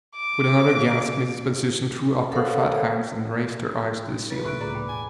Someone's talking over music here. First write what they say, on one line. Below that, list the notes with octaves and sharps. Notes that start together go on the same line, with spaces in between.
With another gasp Mrs. Bensusan threw up her fat hands and raised her eyes to the ceiling.
D6
A4 A#4 C5 C#5 F5 F#5
B4 A6
A2 C#6 F#6 D7
C#2 A#2 G#4 D5 A#5 D6
G5 B5
E1 G#5